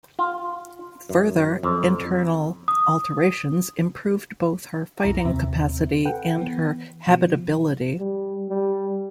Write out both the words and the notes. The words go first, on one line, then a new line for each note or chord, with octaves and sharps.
Further internal alterations improved both her fighting capacity and her habitability.
F4
F#2
F2
D#6
B1 F2 E4 A#5
D#2 C3 C4 E5
A4 B4 F#5 G5
E3 B3
B2 F3
G3
G3